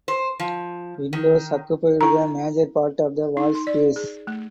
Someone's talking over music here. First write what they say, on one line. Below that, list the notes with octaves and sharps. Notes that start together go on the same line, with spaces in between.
Windows occupied the major part of the wall space.
C5
F3
D#3
E4 A#5
D#4
C6
D5
G#4
A3